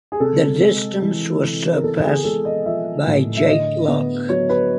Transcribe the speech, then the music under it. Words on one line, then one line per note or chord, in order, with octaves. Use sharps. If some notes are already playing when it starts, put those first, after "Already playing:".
The distance was surpassed by Jake Lock.
G#4
C3 A4
G#3
E3
C3
A#4
B3 A4
G#4
G#3 A4
D#5
F3 E5
A2
E5
D3 D#5
B3
F#3 C#5
B4